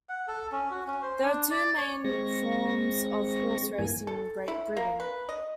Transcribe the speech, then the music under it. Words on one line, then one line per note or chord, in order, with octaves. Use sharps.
There are two main forms of horse racing in Great Britain.
F#5
A4
C#4
F#4
C#4
C5
D4
D5
C#5
G#3 C4 C#6 A#6
G2 E3 A#3 G#5
A4
E4
A#3
B4
D#5